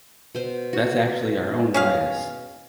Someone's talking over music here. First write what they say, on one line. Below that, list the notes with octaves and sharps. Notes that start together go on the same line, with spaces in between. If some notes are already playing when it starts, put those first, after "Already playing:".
That's actually our own bias.
B2 C5
F#4
C#4 G#4 F5